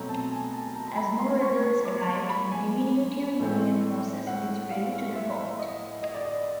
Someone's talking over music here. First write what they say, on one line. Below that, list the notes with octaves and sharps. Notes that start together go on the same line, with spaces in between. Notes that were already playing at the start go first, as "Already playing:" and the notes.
As more Rebels arrived, the diminutive Union forces withdrew to the fort.
Already playing: B2 F#3 A3 C4 A#5
A5
G#5
A5
A#5
A#5
B5
C6
C#6
C#6
D6
C#6
B5
G#5
A2 E3 A3 C4
F#5
F5
E5
D#5
D#5
D5
D#5